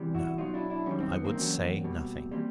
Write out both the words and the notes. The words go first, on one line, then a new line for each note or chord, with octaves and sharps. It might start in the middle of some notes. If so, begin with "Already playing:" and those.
No, I would say nothing.
Already playing: E2 C3 E3 G3
E4 F#4
B2 F#3 D#4 F4
D4 E4
D4 E4
F#2 D#3 G3 C#4
C4
B3
A#3 C4
E2 C#3 F#3
B2 G3
E3 G3 A#3 C4